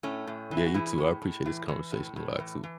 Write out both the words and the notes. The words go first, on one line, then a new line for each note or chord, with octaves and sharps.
Yeah, you too. I appreciate this conversation a lot, too.
A2 A3 C#4
A2
E3
E4
F#4
E3 E4 G#4
A2
A2
E3
E3
A2
A2
E3
E3